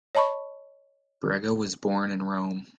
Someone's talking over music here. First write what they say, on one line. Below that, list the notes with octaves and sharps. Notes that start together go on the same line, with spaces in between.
Brega was born in Rome.
C#5 D#5 A5 B5 C#6